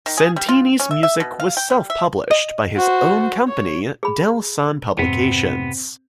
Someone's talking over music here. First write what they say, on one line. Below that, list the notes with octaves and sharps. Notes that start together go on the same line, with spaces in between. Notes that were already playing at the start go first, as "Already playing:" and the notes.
Santini's music was self-published by his own company, DelSan Publications.
D#3
G#4
G3
F4
C#4
E5
E5
B2
F5
G5
G3
E5
D#5
F#4 C5
C#5
G#4 B5
F2 G#2 C3 B3 C4